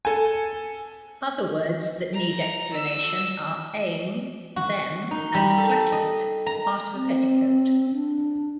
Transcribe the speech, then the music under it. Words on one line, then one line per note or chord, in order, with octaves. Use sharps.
Other words that need explanation are "ame" 'them' and "plack-keet", 'part of a petticoat'.
A4 G#5
A#5
E6
F#4
D#4
G3
A4
D#5
A#5
C4
D4